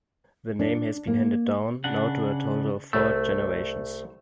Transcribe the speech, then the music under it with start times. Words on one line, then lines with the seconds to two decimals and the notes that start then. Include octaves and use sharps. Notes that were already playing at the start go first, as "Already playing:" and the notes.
The name has been handed down, now to a total of four generations.
0.59 D4
1.07 A#3
1.84 C#3 D4 F#5
2.93 C2 A3 E6